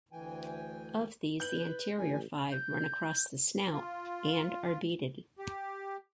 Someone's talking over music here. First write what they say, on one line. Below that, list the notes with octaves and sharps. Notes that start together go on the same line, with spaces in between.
Of these the anterior five run across the snout and are beaded.
D2 E3 G5 G#5
B4 G6 F#7
A1 G#5
G6
F4
G4